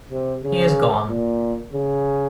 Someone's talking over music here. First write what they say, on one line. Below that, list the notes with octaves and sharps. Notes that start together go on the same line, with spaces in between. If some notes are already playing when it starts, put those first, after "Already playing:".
He is gone.
C3
C#3
A#2
C#3